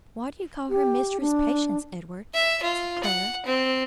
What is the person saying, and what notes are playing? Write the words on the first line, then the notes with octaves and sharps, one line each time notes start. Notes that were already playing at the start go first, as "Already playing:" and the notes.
"Why do you call her Mistress Patience, Edward?" said Clara.
G4
D4
E5
F4
F#5
C4